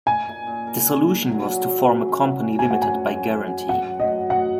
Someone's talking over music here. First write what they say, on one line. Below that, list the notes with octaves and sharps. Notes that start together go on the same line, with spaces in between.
The solution was to form a company limited by guarantee.
D#4 G#5
A#2
A#2
A#4
A#2
A#4
F#3
F#3
F#3
C#4
F#3
C#4
F#2
G#5
F#2 F#5
G#5
G#3
F#2
F#2
G#3
F#3 F#5
F#3
D#5
F#3
D#4 F#5